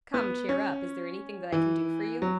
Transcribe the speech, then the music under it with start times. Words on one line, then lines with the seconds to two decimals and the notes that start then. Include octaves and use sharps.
"Come, cheer up; is there anything that I can do for you?"
0.14 B3
0.49 C#4
1.52 E3
2.22 F#3